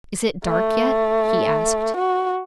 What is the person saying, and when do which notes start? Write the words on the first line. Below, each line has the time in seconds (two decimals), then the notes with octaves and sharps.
'Is it dark yet?' he asked.
0.45 A3
1.96 F#4